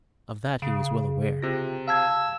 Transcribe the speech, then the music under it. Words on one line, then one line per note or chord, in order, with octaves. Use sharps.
Of that he was well aware.
C#3
C3 F4 A#6
F5 A5 E6 G#6